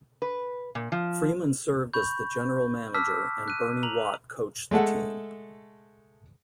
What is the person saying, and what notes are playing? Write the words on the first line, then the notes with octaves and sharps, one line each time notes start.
Freeman served as the general manager and Bernie Watt coached the team.
B4
A#2
F3
B5 C#6 G6
A5 D6 E6 F6 B6
F#6 D#7
A#5 F7 F#7
G#3 A3 A4 F#5